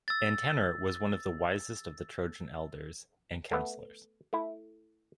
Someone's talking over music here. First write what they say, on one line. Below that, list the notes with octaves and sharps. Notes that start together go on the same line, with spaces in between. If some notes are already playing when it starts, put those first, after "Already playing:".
Antenor was one of the wisest of the Trojan elders and counsellors.
E6 A6
A3 B3
A3 E4